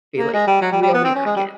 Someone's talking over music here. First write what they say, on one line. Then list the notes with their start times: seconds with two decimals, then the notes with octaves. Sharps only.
be, like, reel me back in.
0.18 A#3
0.33 G#3
0.47 G3
0.61 F#3
0.72 G3
0.82 G3
0.94 B3
1.04 C4
1.15 C#4
1.25 G#3
1.36 G3